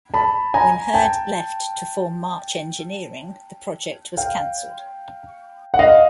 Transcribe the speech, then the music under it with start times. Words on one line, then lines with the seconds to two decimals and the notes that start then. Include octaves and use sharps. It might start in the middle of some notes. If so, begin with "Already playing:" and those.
When Herd left to form March Engineering, the project was cancelled.
0.14 A5 B5
0.54 G#5 A#5
0.94 G5 A5
4.17 F5 G5
5.74 F#5
5.79 D#5 F5